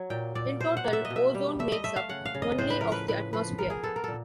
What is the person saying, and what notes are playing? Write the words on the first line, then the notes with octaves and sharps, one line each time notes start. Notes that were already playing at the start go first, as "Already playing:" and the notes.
In total, ozone makes up only of the atmosphere.
Already playing: F#3 C#5
A#2 G5
A#2 D5
B2 C5
F#5
A#3
E5
D#5
B2
E5
G3
A3 E5
D#5
A3 E5
F5
C#3 F#5
F5
C#3
D#5
A2 C5
B4
F3 A#4
B4
A2 B4
F3 B4
B3 A#4
G#4
B3 A4
A#4
A#2 A4